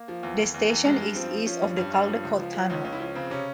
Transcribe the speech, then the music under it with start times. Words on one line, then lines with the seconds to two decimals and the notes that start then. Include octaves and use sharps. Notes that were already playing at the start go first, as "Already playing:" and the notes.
The station is east of the Caldecott Tunnel.
Already playing: A#3
0.08 F3
0.23 E2
0.39 E2
0.54 E2
0.69 E2
0.85 G2 G#3
1.01 G2
1.15 F3 C4
1.31 F3
1.46 F3 C#4
1.62 G2
1.77 G2
1.93 G2
2.07 F3
2.23 C#2
2.39 F3
2.55 F3
2.70 C#2 C#4
2.84 C#2 C#4
2.92 E4
3.00 F3 C#4
3.15 C#3 C4
3.30 C3 C#4